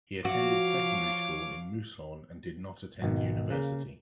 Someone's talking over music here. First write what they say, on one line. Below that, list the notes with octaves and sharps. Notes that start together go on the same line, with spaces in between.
He attended secondary school in Moosehorn, and did not attend university.
F3 F#4 C#5 F5 D6
G#1 B2 D#3
C#3 A#3